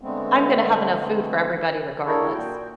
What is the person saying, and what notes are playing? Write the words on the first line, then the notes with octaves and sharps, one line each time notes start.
I'm gonna have enough food for everybody regardless.
D3 G#3 A3 B3 C4
D3 A#3 E4 G#4 A4 C#5
A#2 F#4 G5